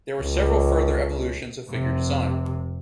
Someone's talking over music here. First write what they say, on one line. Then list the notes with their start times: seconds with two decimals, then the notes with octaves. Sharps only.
There were several further evolutions of figure design.
0.22 C#2
1.70 F1 C3